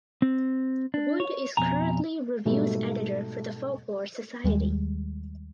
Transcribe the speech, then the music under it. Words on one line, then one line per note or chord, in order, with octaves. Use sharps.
Wood is currently Reviews Editor for the Folklore Society.
C4
D4
C#5
F2 B2 G#5 A#5
G#2 B2 G3 A3
D#2 G3 G#3